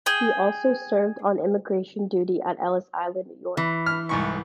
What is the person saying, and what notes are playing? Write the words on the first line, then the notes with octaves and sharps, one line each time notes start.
He also served on immigration duty at Ellis Island, New York.
G#4 G5
E3
F6
C2 G#2 C#6